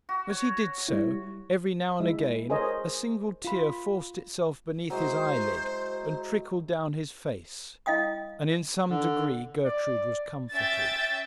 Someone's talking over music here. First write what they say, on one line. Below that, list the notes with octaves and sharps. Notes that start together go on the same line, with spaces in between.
As he did so, every now and again a single tear forced itself beneath his eyelid and trickled down his face, and in some degree Gertrude was comforted.
F#4
C#5
G3 E4
G#3 E4 E5
G#4 A#4 C5 C#5 D#5
F4 B5
F#3 G#3 E4 C5
E4 D#5 F5 G5 D#6
D3
D5
C#4 E5 G5 A6